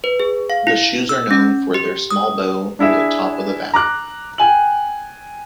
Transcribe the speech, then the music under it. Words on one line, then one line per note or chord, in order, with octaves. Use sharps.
The shoes are known for their small bow near the top of the vamp.
B4
G#4
F5
E4
E6
C#4
G4
D#6
D4 E4 G#4 E5
A#5 D6 F#6
G5 G#5 F#7